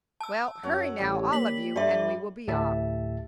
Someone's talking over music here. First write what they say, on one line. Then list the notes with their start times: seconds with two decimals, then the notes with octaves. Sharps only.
"Well, hurry now, all of you--and we will be off."
0.21 A5 E6
0.63 F#2 C#5 F#5
0.99 A1 G3
1.32 A#3 B6 F#7
1.76 G2 G3 A3 D5 E5 C6
2.48 D2 A2 A3 G4 E5 A5